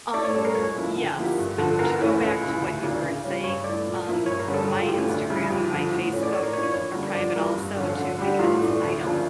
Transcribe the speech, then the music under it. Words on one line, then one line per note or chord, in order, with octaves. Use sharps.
Um, yes, but to go back to what you were saying, um, my Instagram and my Facebook are private also too, because I don't
A2 D5
C#5
G3 C#4 A4
A#4
C#2 C#5
C#3 F3 A#3 E4
D3
F3 A#3 E4 G4
G2
D3 F3 A4
E2 A#4
E3 A3 C#4 E4
C#2
C#3 E3
D2
C#3 E3 A#3 D4
C#3
G3 C#4 G4
G2 C#5
E3 A3 D5
A#2
F3 A#3 E4
G2 C#5
A#4
D3 G3 C#4
A4
C#3 G4
F4
E3 A3 G4
C#4
D2 D4
C#3 G3 E4
F2 G4
D3 F3
A2
E3 A3 C#4
D5
A2 C#5
A#4
E3 A#3 D4 F4 C#5
C#5
F2 C#5
D3 G3 A#3 D4
F2 D5
E3 G3 A#3 A#4
G2
D3 F3 C#4 F4
D3
G3 D4 G4
A2 F4
E3 A3 D4
D2
C#3 F3 A#3 D4